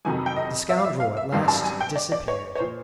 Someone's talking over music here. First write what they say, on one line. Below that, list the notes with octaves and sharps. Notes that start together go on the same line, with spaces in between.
The scoundrel at last disappeared.
F2 C3 D#3 F#3 G#5
G5
D#5
E5
F5
E5
F5
E5
G#1 F#2 D#3 G3 F5
A5
G#5
G5
D5
D5
C#5
C#5
A#2 F3 C5